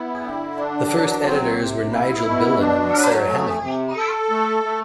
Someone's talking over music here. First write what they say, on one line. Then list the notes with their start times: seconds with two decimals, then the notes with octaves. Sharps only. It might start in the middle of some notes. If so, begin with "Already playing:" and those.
The first editors were Nigel Billen and Sarah Hemming.
Already playing: B3 E4
0.23 D3
0.57 D4
0.90 F#3
1.25 C4
1.59 C3
1.91 E4
2.26 B2
2.59 D4
2.94 F#3
3.28 A3
3.61 C3
3.96 A4
4.30 A3
4.64 A3